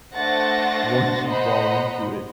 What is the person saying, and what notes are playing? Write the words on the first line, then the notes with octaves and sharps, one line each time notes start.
once you fall into it,
A3 D4 C5 F#5 A6 A#6
C5 D#5 F#5 A#5 B5